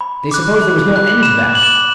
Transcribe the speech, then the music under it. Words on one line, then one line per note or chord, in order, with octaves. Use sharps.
They supposed there was no end to that.
B5
D6 F#6
B5
D6 F#6
B5 E7
D6 F#6 F#7
E7